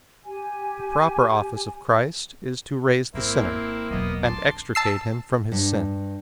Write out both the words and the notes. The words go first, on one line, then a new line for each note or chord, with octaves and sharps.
The proper office of Christ is to raise the sinner, and extricate him from his sins.
G4 G#5
G#1 A#3 C4 E4
E1 F#3 A#3 B3 D#5
C4 D4 A5 C6 D6
A5 E6 C7
G2